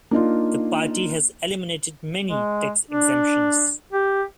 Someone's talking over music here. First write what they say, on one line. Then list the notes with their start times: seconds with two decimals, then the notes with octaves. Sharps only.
The party has eliminated many tax exemptions.
0.11 A#3 D4 D#4 F4
2.28 G#3
2.91 D4
3.92 G4